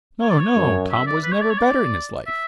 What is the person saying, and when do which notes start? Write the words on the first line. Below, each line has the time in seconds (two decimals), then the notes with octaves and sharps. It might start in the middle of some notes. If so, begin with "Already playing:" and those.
"No, no, Tom was never better in his life."
0.22 C#5
0.30 D5
0.39 C#5
0.56 F#2
0.91 E5
1.07 D5
1.24 B4
1.32 C#5
1.42 D5
1.50 C#5
1.58 D5
2.26 E5